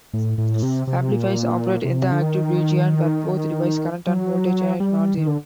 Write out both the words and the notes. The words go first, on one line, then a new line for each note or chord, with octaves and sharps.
Amplifiers operate in the active region, where both device current and voltage are non-zero.
A2
A2
C3
C3
A#2
C3
D3
D#3
F#3
G3
D#3
D3